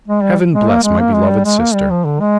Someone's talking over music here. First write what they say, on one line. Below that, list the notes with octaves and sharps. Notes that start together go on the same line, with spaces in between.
Heaven bless my beloved sister!
G#3
G3
G#3
A#3
G#3
A#3
G#3
G3
G#3
A#3
G3
F3
D3
G#3